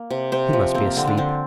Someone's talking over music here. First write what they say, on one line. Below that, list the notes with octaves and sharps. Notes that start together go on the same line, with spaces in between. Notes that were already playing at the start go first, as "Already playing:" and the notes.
He must be asleep.
Already playing: A#3
C3
C3 C5
F3
A#3 C4
D3 C4
D4
D3 C4